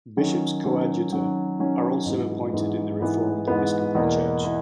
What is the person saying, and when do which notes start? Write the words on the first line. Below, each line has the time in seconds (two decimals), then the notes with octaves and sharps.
Bishops coadjutor are also appointed in the Reformed Episcopal Church.
0.17 D#3 F#3 C#4
0.64 D#3 F#3 C#4
1.11 D#3 F#3 C#4
1.59 D#3 F#3 C#4
2.05 G#2 E3 B3
2.53 G#2 E3 B3
3.00 G#2 E3 B3
3.48 G#2 E3 B3
3.95 E2 B2 A#3 E4
4.42 B2 A#3 E4